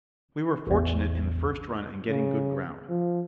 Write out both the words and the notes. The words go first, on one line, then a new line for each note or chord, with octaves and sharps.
We were fortunate in the first run in getting good ground.
A1 E2
C#3
F3